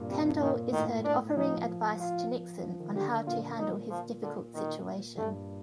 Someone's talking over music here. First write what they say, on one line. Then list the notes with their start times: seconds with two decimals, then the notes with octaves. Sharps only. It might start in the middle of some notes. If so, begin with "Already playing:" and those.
Kendall is heard offering advice to Nixon on how to handle his difficult situation.
Already playing: G2 A#2
0.09 C3 G3
0.25 G2
0.41 A#2 D#3
0.73 A2 D#3
1.04 D4
1.37 F3 D#4
2.00 F4
2.63 F3
2.80 D#3
2.95 D3 G4
3.27 A#2 F4
3.59 A#2 D#4
3.90 F3
4.22 D3
4.54 A#2 D#3
5.18 G2 A3